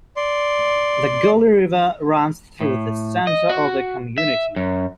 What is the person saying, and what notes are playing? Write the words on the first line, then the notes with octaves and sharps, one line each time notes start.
The Gauley River runs through the center of the community.
D5 C6
A2
D#5
F#4
E5
F#2